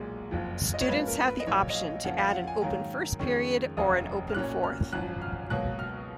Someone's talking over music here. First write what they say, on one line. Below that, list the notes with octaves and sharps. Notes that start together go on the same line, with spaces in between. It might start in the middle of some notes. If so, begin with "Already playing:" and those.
Students have the option to add an open first period or an open fourth.
Already playing: B1 A#2 G#3
F#1 F2 F3
D#5
C#5
G#2 F3 A#3 C#4 B4
A#4
B4
D#5
A#1 A#2 F#3 A#3 C#5
D#5
F5
F2 C#3 F3 A#3 C#4 F#5
F5
F5
F#5
G#5
G#2 D#3 F#3 A#3 A#5
F2 D#3 G#3 C#4 C#6
F1 D#2 C#3 F#3 A#3 D#6
F6
B1 A#2 F#3 C#4 F#6
F6
G#1 F#2 F3 F#6
F6
C#2 B2 F#3 A#3 F#6
F6